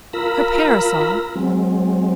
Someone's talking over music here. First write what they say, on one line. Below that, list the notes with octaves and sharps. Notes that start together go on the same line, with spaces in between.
Her parasol?
F4 A#4 A#5 B5 E6
F#3 G#3 C4